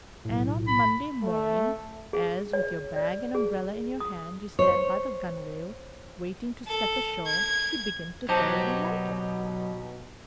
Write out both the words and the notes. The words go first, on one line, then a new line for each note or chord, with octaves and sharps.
And on Monday morning, as, with your bag and umbrella in your hand, you stand by the gunwale, waiting to step ashore, you begin to thoroughly like it.
B1 A2
B5
A3
G#4
C#5
D5
G#4
D#6
C5 C#5
A4
G#6
B2 F#3 D#4 G4 C5 A5